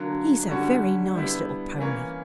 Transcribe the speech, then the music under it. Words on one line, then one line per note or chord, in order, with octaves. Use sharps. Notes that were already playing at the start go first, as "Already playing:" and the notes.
He's a very nice little pony.'
Already playing: D3 F#3 A#3
D3 G3 C#4 F#4
D3 G3 B3 E4
E3 A#3 C#4